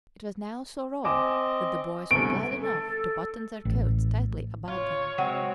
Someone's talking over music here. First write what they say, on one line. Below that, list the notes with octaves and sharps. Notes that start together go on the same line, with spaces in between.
It was now so raw that the boys were glad enough to button their coats tightly about them.
C4 D#5 G#5 D6 E7
C2 D3 A3 B3 A4 G#5 D7
A4
A1
F4 C#5
F#3 G#3 C4